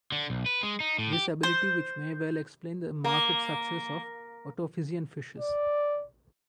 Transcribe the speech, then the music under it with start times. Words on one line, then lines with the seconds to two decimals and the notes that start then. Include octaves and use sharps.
This ability which may well explain the marked success of otophysian fishes.
0.12 D3
0.30 B1
0.46 B4
0.63 G#3
0.80 D#4
0.99 A2
1.13 G4
1.43 C5
3.04 A#3
5.40 D5